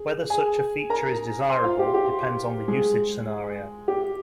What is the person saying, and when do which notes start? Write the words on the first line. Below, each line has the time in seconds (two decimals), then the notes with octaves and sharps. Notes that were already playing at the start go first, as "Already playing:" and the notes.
Whether such a feature is desirable depends on the usage scenario.
Already playing: G#4
0.30 G#4 G#5
0.90 A#4 A#5
1.49 C5 C6
1.64 F4 F5
1.79 G4
1.94 G4
2.68 G#3 G#4
3.88 G4